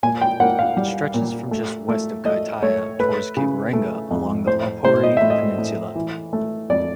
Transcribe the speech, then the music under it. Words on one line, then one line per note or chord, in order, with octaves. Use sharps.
It stretches from just west of Kaitaia towards Cape Reinga along the Aupouri Peninsula.
A#2 G#5
G5
A#3 F#5
F5
G3
A#2
A3
A3
A3 D#5
A3 C#5
A3 B4
C#3
A3
F2
A2 C5
A2 C5
D#5
A2 E5
D#5
A2
E3
A3
F2 D5